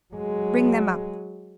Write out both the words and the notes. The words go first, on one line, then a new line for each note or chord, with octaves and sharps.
Bring them up.
F#3 G#3